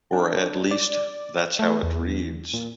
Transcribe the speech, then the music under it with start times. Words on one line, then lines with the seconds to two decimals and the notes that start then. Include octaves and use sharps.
Or at least, that's how it reads.
0.13 D4
0.71 D5
1.59 A3
1.83 E2
2.53 A#2